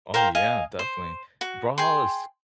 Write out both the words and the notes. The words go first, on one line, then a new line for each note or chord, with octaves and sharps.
Oh yeah, definitely. Brawlhalla is
A#4 C5 F5 G5
D#5 F5 G#5
C5
F#4
G#4 G5 C6